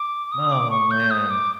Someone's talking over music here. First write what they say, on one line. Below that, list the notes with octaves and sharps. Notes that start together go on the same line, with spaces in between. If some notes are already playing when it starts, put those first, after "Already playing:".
Oh, man.
Already playing: D6
D#6
D6
C#6
G6
D#6
D6